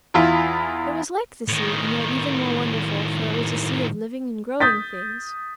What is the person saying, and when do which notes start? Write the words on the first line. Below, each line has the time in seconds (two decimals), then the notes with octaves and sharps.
It was like the sea, and yet even more wonderful, for it was a sea of living and growing things.
0.14 E2 E4 F4
1.48 A2 D#3
4.60 D#6 G6 A6 B6